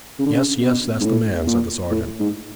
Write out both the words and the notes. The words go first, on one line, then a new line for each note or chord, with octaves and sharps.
'Yes, yes; that's the man,' said the sergeant.
C#3
D3
C#3
B2
G#2
A2
A#2
A2
G#2